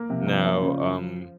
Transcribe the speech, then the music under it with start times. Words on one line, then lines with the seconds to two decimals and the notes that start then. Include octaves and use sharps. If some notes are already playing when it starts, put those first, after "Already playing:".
Now, um,
Already playing: A#3
0.09 C3 F3
0.27 C3
0.45 A#3
0.61 C#3